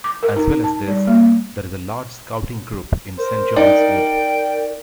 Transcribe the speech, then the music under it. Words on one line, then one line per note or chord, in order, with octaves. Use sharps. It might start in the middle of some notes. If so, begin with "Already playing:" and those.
As well as this, there is a large Scouting group in Saint Johns Wood.
D6
A#4
D#4
A5
G3
A#3
A#4 C5
D#4 D5 G5